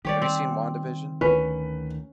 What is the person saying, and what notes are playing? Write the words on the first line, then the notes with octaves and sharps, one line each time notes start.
have you seen WandaVision?
D#3 G3 G4 C#5 D5
C4
D2 D#3 C#4 B4